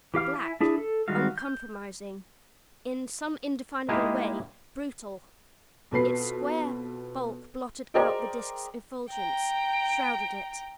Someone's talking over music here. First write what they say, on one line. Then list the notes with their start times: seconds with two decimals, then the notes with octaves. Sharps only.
Black, uncompromising, in some indefinable way BRUTAL, its square bulk blotted out the Disk's effulgence; shrouded it.
0.14 E3 G4 F5 F6
0.35 E4 G#5
0.61 D4 E4 G#4
0.78 A4
1.08 D#3 G3 G#3 F#4 F5
1.38 G6
3.89 G#3 A#3 D#4 E4 G4 G#4
5.91 F2 B2 B4 C7
7.94 G#4 A#4 C5 D5 D#5 G5
9.10 G5 A#5